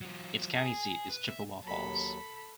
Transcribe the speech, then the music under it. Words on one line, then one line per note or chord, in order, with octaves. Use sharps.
Its county seat is Chippewa Falls.
F#3 F4
G#4
B4
E5
D#2 F#3 A4 B5